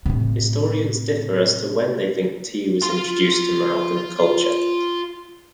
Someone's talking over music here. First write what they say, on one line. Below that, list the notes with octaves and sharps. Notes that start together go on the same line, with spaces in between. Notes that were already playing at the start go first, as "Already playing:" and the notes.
Historians differ as to when they think tea was introduced to Moroccan culture.
A2 C3
F4 C6